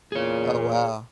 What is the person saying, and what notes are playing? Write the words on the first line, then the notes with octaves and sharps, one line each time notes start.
Oh wow.
E2 A#2 G#4 C#5